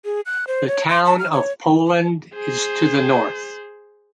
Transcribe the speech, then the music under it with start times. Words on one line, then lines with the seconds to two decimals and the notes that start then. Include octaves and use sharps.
The town of Poland is to the north.
0.05 G#4
0.26 F#6
0.48 C5
0.68 C#5
0.89 C6
1.06 A5
1.19 F6
1.33 C#5
2.35 G#4 C5